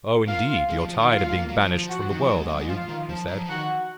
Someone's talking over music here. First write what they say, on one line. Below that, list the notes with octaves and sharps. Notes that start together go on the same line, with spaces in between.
'Oh, indeed; you're tired of being banished from the world, are you?' he said.
A#3 F4 F5
G#3
F3
F3
D#3
F4 F5
F#3
G#3
A#3
F#3
F3
F3
F#4 F#5
D#3
F3
F#3
G#3
A#3
F#3
G#3
F3 F4 F5
D#3
F3
F#3
F3
D#3 F#4 F#5